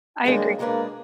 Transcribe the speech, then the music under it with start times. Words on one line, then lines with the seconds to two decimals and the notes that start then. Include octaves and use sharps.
I agree.
0.24 F2 D#3 F#3 G#3 A#3 D4
0.58 B2 G#3 A#3 D4 G#4 B4